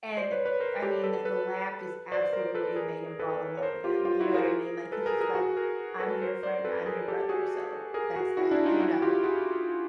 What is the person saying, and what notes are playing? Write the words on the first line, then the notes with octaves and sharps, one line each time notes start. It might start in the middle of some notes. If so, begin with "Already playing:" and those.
And, I mean, the lab just absolutely made him fall in love with him. You know what I mean? Like, he's just, like, "I'm your friend, I'm your brother." So, that's that, you know?
C5 D5
B4 C#5
B4 C#5
A#4 C5
G4 A4
A4 B4
A4 B4
C5 D5
A#4 C5
A4 B4
G#4 A#4
A4 B4
C#5
A#4 C5
F4 G4
F4 G4
E4 F#4
G#4 A#4
A4 B4
G#4 A#4
G#4 A#4
F#4 G#4
G#4 A#4
A4 B4
A#4 C5
C5 D5
A4 B4
G#4 A#4
G4 A4
F#4 G#4
G#4 A#4
F#4 G#4
E4 F#4
D4 E4
D#4 F4
E4 F#4
F4 G4
F#4 G#4